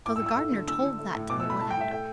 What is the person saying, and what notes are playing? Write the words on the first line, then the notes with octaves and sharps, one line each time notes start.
So the gardener told that to the lad.
A2 D6
E6
A2
E6
A3
D3
D3 E6
D3
A3
A2
B2 D6
E6
A3 B5
A2 A5
G5
A2 E5
A3 G5